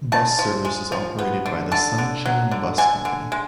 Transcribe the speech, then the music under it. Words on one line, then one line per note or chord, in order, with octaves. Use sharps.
Bus service is operated by the Sunshine Bus Company.
C#3 A5
F3
G#3
F3
B3
D3
D3 A5
D3
F#3
D3
D3 G#5
D3
G#3